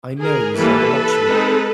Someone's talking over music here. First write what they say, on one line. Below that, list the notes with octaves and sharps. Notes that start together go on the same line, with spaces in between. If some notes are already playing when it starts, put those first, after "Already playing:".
I knows I'm a luxury.
G#4 A#4
E3 G3 A#3 A4 B4
G#3 C4 D#4